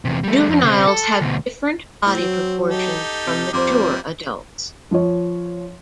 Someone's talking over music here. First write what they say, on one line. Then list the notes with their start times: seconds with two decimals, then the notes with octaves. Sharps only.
Juveniles have different body proportions from mature adults.
0.05 E2 C3
0.23 G3 A3
0.49 F2
0.64 C#3 C4
0.87 A4
1.21 D2 B2
2.06 A2 C4
2.21 F#3
2.70 D#4 G4 A4
3.26 C3
3.53 F2 G3 A#3 C5 C6 D6
4.91 F3 C#5